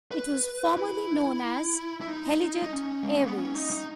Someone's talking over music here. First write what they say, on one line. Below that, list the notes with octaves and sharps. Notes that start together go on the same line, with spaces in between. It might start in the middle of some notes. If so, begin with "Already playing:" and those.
It was formerly known as Helijet Airways.
B4
E4
E4
D#4
D#4
C#4
G#3
A#3
B3
C#4
D#4
D#4